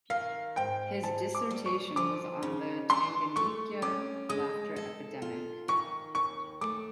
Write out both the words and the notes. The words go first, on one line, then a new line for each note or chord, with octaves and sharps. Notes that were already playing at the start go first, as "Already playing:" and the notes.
His dissertation was on the Tanganyika laughter epidemic.
D#3 F5
G#2 G5
G#2 A5
D6
G3
C#6
F3 D6
C#3
D4 C6
A3 C#6
C#4 D6
G#3 D#6
A4
F4
D#3 C#6
D#2 C#6
A3 D6